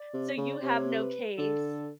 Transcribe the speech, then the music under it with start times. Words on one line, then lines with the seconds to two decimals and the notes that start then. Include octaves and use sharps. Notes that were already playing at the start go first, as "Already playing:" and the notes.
So you have no case."
Already playing: D5
0.14 C3
0.38 C#3
0.52 D5
0.63 C3 C#5
1.00 B4
1.37 D3 A4